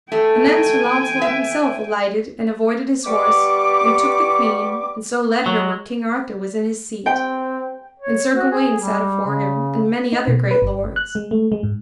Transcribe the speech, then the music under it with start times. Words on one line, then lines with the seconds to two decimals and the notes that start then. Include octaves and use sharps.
And then Sir Launcelot himself alighted and avoided his horse, and took the queen, and so led her where King Arthur was in his seat: and Sir Gawaine sat afore him, and many other great lords.
0.12 A3 G5 G#5
1.21 E5
3.05 G3 B3 G4 C#6 D6
5.46 F#3
7.06 C4 G5
8.00 C#5
8.35 F#4
8.52 G#4
8.80 G3
9.26 C#3
10.12 D#4
10.28 B2
10.51 B4
10.62 G1
10.96 F#6
11.15 G#3
11.31 A3
11.52 G#3
11.63 G#2